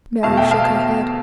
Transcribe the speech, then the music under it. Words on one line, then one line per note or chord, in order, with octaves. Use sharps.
Mary shook her head.
E2 B2 A3 F5 A5
E5 G5
F5 A5
F5 A5